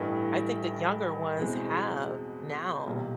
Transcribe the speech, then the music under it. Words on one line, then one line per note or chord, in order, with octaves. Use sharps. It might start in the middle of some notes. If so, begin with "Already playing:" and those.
I think the younger ones have now
Already playing: A1 G2 E3 A3
E2 B2 G#3 C4
B1 A#2 G3